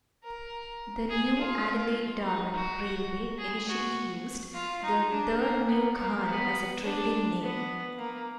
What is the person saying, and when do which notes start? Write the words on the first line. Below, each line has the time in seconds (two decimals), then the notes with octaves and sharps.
The new Adelaide-Darwin railway initially used the "The New Ghan" as a trading name.
0.23 A#4
1.09 G#4
1.38 F4
2.23 D#4
2.53 F#4
3.38 G#4
3.68 F#4
4.54 F4
4.82 D#4
5.11 D4
5.40 A#3
5.68 B3
5.98 A#3
6.27 B3
6.84 D4
7.41 B3
7.98 A#3